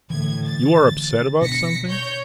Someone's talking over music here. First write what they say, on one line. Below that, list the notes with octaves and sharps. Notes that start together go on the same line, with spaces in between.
"You are upset about something?"
A2 D3 E3 G#6
A6
B2 D4 A#6 B6 C#7
C#5 G6